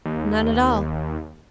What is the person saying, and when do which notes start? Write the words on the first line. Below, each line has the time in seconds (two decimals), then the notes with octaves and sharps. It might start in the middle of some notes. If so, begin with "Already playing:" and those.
"None at all."
0.06 D#2